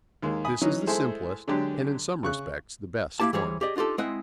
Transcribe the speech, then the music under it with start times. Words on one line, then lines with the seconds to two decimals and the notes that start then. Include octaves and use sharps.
This is the simplest, and in some respects the best, form.
0.22 D#2 G#3 A#3
0.45 G#5 B5 D#6
0.61 E3 F#3 C#4 D#4
0.87 G#3 A3 E4 G#4 A4 C5
1.48 D3 F#3 G#3 D4 G4
2.23 C#3 C#6 F#6
3.20 A#3 E4 G4 A5
3.33 E3 G3 G#4 C5 C#5 B5
3.61 G4 G#4 D5 D#5
3.76 D4 D#4 F4 G4 A4
3.98 G#3 C4 E4 D#5 F#5